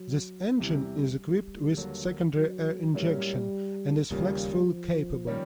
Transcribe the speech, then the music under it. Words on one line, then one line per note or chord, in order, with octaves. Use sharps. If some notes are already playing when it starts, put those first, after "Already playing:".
This engine is equipped with secondary air injection, and is flex-fuel capable.
Already playing: F#3
E2 C3 E3 G3
G3
D#2 D3 F#3 A#3
F#3
A2 F#3 G3 A#3 C#4
D#2 C#3 F3 G3 A#3
F3
D#3 G3 A#3 C#4